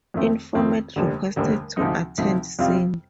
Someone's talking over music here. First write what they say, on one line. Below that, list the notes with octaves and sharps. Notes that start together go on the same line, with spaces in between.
Informant requested to attend scene.
F2 D#3 A3 C4
F2 D#3 A3 C4
F1 D#2 D3 G3
F1 D#2 D3 G3
D2 C3 F3 C4 D#4
D2 C3 F3 C4 D#4
F2 C3 G3 C4 F4